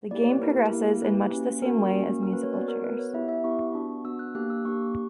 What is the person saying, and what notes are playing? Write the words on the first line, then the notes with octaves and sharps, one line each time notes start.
The game progresses in much the same way as musical chairs.
A#3 E4 G4 D5
C#5
B4
A#3 E4 G4 A#4
A#3 E4 G4
A#3 E4 G4 B4
A#3 C#4 F#4
A#3 C#4 F#4 A#4
A#3 C#4 F#4
A#3 C#4 F#4 A#4
B4
C#5
B3 F#4 D5
A#4
B3 F#4 B4
C#5
B3 E4 G4 E5
E5
B3 E4 G4 C#6
B3 D4 F#4
B3 D4 F#4 E6
F#6
A#3 D4 G4 F#6
E6
A#3 D4 G4 C#6